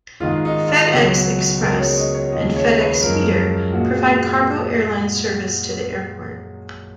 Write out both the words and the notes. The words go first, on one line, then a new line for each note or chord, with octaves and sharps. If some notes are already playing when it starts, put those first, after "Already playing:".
FedEx Express and FedEx Feeder provide cargo airline service to the airport.
G#2 D#3 G#3 F4
D#4
F4
C#2 B2 F#3 F#4
C#2 B2 G#3 A#4
C#5
D#5
C#5
D#2 C#3 F3 G#3 D#5
C#5
B4
B4
F#2 F3 G#3 A#4
A#2 G#3 F#4